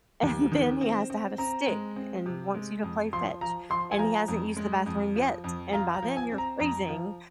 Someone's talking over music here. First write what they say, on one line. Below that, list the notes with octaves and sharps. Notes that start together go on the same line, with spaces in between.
and then he has to have a stick and wants you to play fetch, and he hasn't used the bathroom yet, and by then, you're freezing.
D#2
D#3
C4
C4
C4 A#5
G#3
C4
C3
G#3
F2
F3 C6
F3 A#5
F3 C6
G#5
F3 A#5
F2
G#3
F2
F3
F2
F4 A#5
A#5
F3
G#5
C4
A#5
F2 A#5
F3